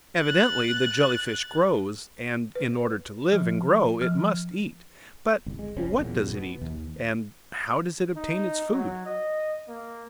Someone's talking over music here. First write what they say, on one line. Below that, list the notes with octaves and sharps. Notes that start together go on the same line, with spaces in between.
Evidently the Jelly-fish grows, and, in order to live and grow, it must eat; but what does it eat, and how does it obtain its food?
F#6 A6
B4
F3
F3
G1 C2
G#3
F1 C2 C4 C#4
D#1 B1 E2 A#2
B2 B3
D#2
D#4
F#3
D#5
A#3